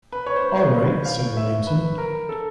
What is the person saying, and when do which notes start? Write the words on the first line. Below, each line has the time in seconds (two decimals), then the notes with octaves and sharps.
"All right," said Williamson.
0.12 B4
0.26 C#5
0.36 C5
0.59 B4
0.82 C5
1.05 F5
1.37 E5
1.67 B4
1.98 A#4
2.29 A4